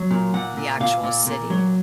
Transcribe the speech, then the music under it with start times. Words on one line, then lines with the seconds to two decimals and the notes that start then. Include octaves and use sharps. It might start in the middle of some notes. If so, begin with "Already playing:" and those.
the actual city
Already playing: F#3
0.11 A#2
0.34 A#2 F#5
0.57 A#2
0.80 A#2 F5
1.03 A#2
1.27 A#2
1.50 F#3